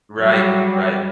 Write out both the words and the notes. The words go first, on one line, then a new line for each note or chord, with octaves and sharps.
Right, right.
F#3 G3